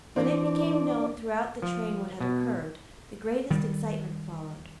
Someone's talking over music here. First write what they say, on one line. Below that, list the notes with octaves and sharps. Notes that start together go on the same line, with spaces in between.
When it became known throughout the train what had occurred, the greatest excitement followed.
E3 C4 D4 C5 D5
F3
B2
D#3 G3